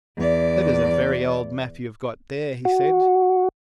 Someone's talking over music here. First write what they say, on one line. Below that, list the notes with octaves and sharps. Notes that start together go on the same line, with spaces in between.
"That is a very old map you have got there," he said.
E2 D5
F#4